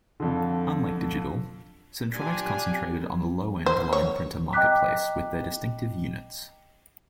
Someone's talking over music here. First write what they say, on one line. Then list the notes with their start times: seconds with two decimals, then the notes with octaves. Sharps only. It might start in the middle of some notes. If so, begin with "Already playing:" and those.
Unlike Digital, Centronics concentrated on the low-end line printer marketplace with their distinctive units.
0.20 F2 D3
2.14 D4 F4 G4 G#5
3.66 C5
3.93 C#5
4.53 D#5 G5 A#5 D6 F#6 B6